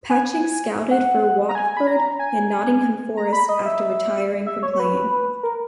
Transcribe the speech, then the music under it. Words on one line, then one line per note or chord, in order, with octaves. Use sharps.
Patching scouted for Watford and Nottingham Forest after retiring from playing.
G#5
F#5
A#5
G#5
B5
A#5
G#5
A#5
B5
D#5
E5
E5
C#5
C#5
B4
A#4